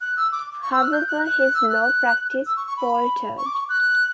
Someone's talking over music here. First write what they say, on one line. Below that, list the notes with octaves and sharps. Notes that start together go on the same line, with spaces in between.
However, his law practice faltered.
F#6
E6
D6
C#6
E6
F#6
G6
F#6
F#6
F#6
E6
F#6
E6
C#6
C#6
B5
C#6
D6
C#6
F#6